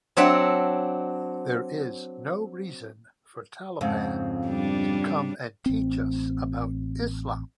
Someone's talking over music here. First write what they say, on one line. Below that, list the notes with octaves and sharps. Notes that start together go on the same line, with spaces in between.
There is no reason for Taliban to come and teach us about Islam.
F#3 C4 D4 E5 F#5
F2 G#2 C#3 C4
G3 D4
A1 C4